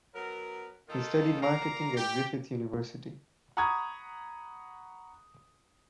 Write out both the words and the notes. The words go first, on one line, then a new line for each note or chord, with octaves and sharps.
He studied marketing at Griffith University.
F#3 B3 A#4
D#3 A#3 D#4 F4 A4
A#4 D5 F5 A#5
G4
F#5 A#5 B5 C#6 D#6 G#6